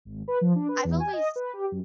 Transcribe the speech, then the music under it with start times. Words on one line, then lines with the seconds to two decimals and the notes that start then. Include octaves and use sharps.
I've always
0.05 G#1
0.28 B4
0.41 F3
0.55 D4
0.69 B4
0.85 E2
1.00 G#5
1.13 D#5
1.36 B4
1.53 G4
1.71 F#2